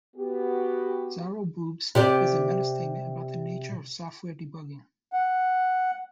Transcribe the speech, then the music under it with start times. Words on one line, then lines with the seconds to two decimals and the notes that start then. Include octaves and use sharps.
"Zarro Boogs" is a meta-statement about the nature of software debugging.
0.16 B3 F#4 G4
1.95 C3 G4 D5
5.13 F#5